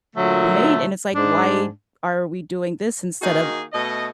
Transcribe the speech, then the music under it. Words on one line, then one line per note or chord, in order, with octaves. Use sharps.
made, and it's like, "Why are we doing this instead of
A#2 D3 F#3 A3
G#2 D4
D#3 A#3 D#4 F#4 G#4
B2 A3 D#5